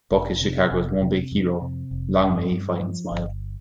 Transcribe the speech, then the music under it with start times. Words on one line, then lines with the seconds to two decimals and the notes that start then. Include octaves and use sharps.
Buck is Chicago's one big hero; long may he fight and smile.
0.11 F1
0.41 C3
0.71 F1
1.02 C3
1.32 F2
1.61 C3
1.91 F1
2.21 G2
2.51 G2
2.81 F3
3.12 G1